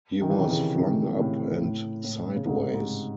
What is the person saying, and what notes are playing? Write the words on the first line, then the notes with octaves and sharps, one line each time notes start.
He was flung up and sideways.
D#3
E3
C3 D#3
C#3 E3
C3 D#3
C3
A2 C#3
A2
A2
C#3
G#2 C3
G#2